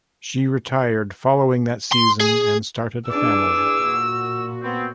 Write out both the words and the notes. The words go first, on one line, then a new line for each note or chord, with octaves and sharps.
She retired following that season and started a family.
C6
G#4
E2 D4 G#4 D6 E6
A#2 F#4
B3 C4